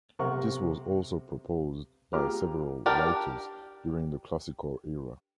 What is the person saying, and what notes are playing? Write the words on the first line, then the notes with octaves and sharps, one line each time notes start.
This was also proposed by several writers during the Classical era.
B1 C3 A#4 F#5 C#6
F4 G4 G#4 A#5 D6 F6
D4 G4 A#4